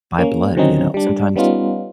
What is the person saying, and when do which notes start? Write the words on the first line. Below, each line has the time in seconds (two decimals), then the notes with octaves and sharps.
by blood, you know? Sometimes
0.19 A#3 C#4
0.55 D3 D#3 F#3 C4 C#4 D#4
0.94 G3 D4
1.36 G3 B3 C#4 D#4 F4